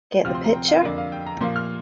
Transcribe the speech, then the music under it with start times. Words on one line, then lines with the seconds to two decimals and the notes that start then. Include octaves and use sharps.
Get the Picture?
0.25 D2 C3 F3 C4 F4 F6
0.35 C6
0.44 A#5
0.54 G5
0.68 F5
0.82 F2 D3 A#3 D5
0.98 F5
1.12 G5
1.26 A#5
1.41 A#2 F3 A#3 F4 C6
1.56 F6